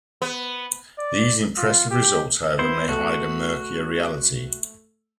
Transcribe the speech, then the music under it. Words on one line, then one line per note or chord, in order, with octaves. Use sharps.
These impressive results however may hide a murkier reality.
B3
D5
F4
G4
B3 E4 C5
A3 F#4